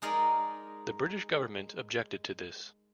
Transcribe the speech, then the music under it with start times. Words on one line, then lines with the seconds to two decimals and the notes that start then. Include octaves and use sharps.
The British Government objected to this.
0.02 G#3 D#4 G#4 A#4 D5 D#5